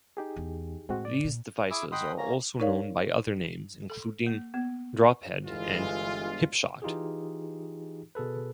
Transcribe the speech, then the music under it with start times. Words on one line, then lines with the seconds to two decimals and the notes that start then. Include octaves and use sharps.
These devices are also known by other names including 'drop head' and 'hipshot'.
0.17 D#4 G4 G#4
0.36 E2
0.89 A2 G#3 C4 F#4
1.05 D5
1.24 A#2
1.71 E4 G#4 G#5 D6 E6
1.92 D#5 F#5 G5 B5 C6 D#6
2.18 A#3 C#4 A#5
2.60 D#4 A#4 C#5 D5 F5
3.90 A4
4.26 A#3
4.54 B3
5.45 G1 E3 G#3 F4
6.82 E3 D#4 F4 G4 G#4
8.15 B2 G#4 A4 B4